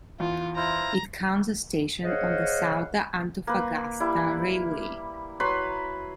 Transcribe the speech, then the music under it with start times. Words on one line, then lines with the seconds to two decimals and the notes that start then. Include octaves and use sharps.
It counts a station on the Salta-Antofagasta railway.
0.20 E2 F4
0.57 E4 F4 C5 A#5
2.04 G#4 C5 C#5 D#5 F5 F#5
3.47 A#3 B4
4.00 G3 E4
5.40 F#3 B4 B5 C6